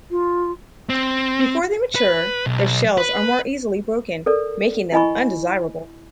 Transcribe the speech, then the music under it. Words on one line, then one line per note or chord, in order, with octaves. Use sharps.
Before they mature, their shells are more easily broken, making them undesirable.
F4
C4
B4
B1
B4
A4 A#4 D5
E4 D#5 G#5 B5 C#6